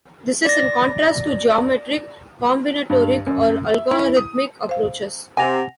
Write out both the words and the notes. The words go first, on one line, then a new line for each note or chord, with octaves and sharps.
This is in contrast to geometric, combinatoric, or algorithmic approaches.
D5 A#6
G2
F#2
E5
E4
D#6
C5 F5
C3 F#5 G#5 A#6 F7